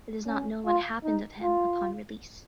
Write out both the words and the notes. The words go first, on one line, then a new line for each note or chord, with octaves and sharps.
It is not known what happened of him upon release.
C#4
F4
D#4
F4